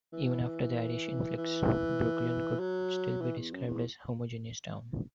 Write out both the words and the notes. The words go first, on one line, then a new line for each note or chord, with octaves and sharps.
Even after the Irish influx, Brookline could still be described as a homogeneous town.
E3
E3
F#3
E3
E2
F#2
E2